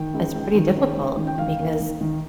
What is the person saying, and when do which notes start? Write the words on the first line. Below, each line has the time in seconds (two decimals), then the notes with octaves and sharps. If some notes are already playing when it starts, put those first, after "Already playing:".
it's pretty difficult because
Already playing: D#3 G5
0.14 C#2
0.35 C#2
0.55 D#3
0.76 C#2
0.97 C#2
1.17 D#3
1.27 G5
1.38 D#3 F5
1.59 D#2
1.80 D#3
2.01 D#3